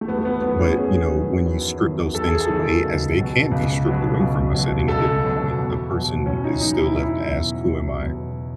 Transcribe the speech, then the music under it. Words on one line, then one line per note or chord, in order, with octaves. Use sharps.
but, you know, when you strip those things away- as they can be stripped away from us at any given point- a person is still left to ask, "Who am I,
A3
E2 B3
A3
B3
D#3 F#3 B3
C#4
E2 G#4
D#3 F#3
E2
D#3 F#3
E2 A4
G#4
A4
D#3 F#3
C#2
B2 F#3
C#2
B2 F#3
C#2
B2 F#3
C#2 A4
B2 F#3
E2
B2 F#3
E2 C#4
D#4
B2 F#3 D#4
E4
E2 E4
B2 F#3
E2
B2 F#3